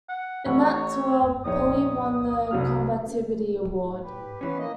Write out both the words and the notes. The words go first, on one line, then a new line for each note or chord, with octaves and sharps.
In that Tour, Poli won the Combativity award.
F#5
A1 C#5 F#5
A#1 D#4 C#5 D#6
C2 F#3 F6
G4 B4
E3 B3 C#4 B4
A#3 D#5